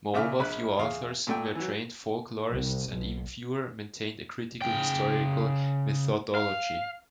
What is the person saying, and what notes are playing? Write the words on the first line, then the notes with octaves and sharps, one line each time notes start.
Moreover, few authors were trained folklorists and even fewer maintained a critical historical methodology.
A#2 C#3 E5 D6 F6
A#1 B5 F#6
E2 G#4 F5
A#2 A3 G5
E3 F#3
C2
B1
C#3 G5
F5